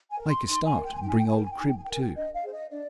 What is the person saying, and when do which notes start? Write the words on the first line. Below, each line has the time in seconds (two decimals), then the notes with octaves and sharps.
Make a start, and bring old Crib too.'
0.10 G#5
0.19 A#4
0.29 C6
0.46 D#4 C6
0.65 G#5
0.76 A#4
0.84 G5
0.93 G#5
1.01 D#4 G5
1.09 G#5
1.18 G5
1.26 G#5
1.30 A#4 G5
1.43 G#5
1.51 G5
1.58 D#4 G#5
1.68 G5
1.76 G#5
1.83 G5
1.87 A#4
1.92 G#5
2.01 G5
2.14 D4 D#5
2.34 F5
2.43 G#4 C5
2.52 D#5
2.71 D4 D5